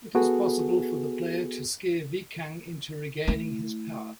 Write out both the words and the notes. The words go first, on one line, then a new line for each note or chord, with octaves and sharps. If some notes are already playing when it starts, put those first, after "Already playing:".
It is possible for the player to scare Viekang into regaining his power.
B3 F#4 G#4 A4
A3 E4